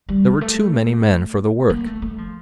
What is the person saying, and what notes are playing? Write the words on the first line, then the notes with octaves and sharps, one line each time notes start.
There were too many men for the work.
G3
F3
A3
A#3
A3
A3
F3